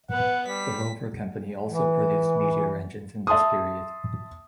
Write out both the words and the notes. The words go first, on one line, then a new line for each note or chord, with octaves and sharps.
The Rover Company also produced Meteor engines in this period.
B3 B4 F#5
G3 B6
E3
E5 A5 C6 D#6